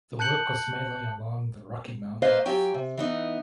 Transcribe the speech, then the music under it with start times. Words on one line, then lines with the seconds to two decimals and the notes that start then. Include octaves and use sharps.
The work was mainly along the Rocky Mountains.
0.19 A5 F#6 G6 C#7 F#7
2.22 A#3 B4 C5 D#5 F5
2.45 F#3 F4 G4 G5 G#5
2.74 C3
2.97 E3 B3 D#4